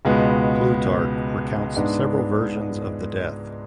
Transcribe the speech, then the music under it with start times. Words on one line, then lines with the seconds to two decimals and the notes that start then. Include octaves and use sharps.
Plutarch recounts several versions of the death.
0.05 C#2 B2 G#3 B3 F#4
1.76 G#2 G#3 B3 D4